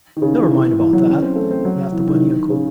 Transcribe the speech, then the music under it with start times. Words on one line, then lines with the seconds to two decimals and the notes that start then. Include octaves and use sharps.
"Never mind about that," laughed the bunny uncle.
0.17 D#3
0.22 C#3
0.36 E3
0.51 E3
0.80 E3
0.93 F#3
1.07 C#4
1.22 C4
1.35 A3
1.51 C4
1.65 F#3
1.92 E3
2.07 D#3
2.50 C#3